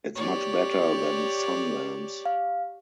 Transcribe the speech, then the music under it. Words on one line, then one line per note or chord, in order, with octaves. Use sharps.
It's much better than sun lamps!
G4 C#5 D5
F5